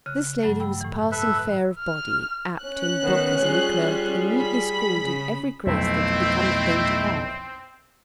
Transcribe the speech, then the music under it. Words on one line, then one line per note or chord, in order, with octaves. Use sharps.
This lady was passing fair of body, apt in book as any clerk, and meetly schooled in every grace that it becometh dame to have.
C#3 F#6
G2 F#3 A3
G5 B5 E6
A2 E3
A4 B4 E5
F6
C#4 F#6
D#3 B3
G3 F4 G#4
B5
C#3
B1 F2 A3 C4 E4 E5